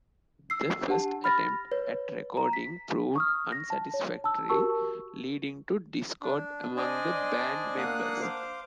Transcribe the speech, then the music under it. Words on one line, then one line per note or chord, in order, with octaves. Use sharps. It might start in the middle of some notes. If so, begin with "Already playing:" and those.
The first attempt at recording proved unsatisfactory, leading to discord among the band members.
E6 C7
D4 G4 F#5 A5
B5 F6 A6 A#6
B4 C#5
A#5
B6
C#6 D#6 F6
A#6
A5
C#5
A5 E6
F#4 G4 A#4 A5 C#6 E6
D4
D4 C5 D5 D#5 G#5
A#3 D4 F5 F#5 D#6 F#6
C5 F5 D6